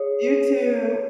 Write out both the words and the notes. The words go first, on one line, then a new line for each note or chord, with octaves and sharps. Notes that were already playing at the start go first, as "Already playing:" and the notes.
You too.
Already playing: G#4 C#5